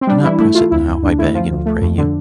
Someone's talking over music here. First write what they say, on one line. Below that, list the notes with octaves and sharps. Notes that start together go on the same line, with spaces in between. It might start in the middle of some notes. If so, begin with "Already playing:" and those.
'Do not press it now, I beg and pray you.
C4
G3 D4
E3 E4
A3 E4
A3 F4
D2 E4
D2
D2 D4
A3 E4
F3 F4
D2
A3
F2
D3